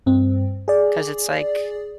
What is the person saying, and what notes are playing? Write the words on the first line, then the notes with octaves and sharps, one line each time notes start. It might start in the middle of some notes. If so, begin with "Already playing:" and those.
'Cause it's like
G2 C4
G#4 D5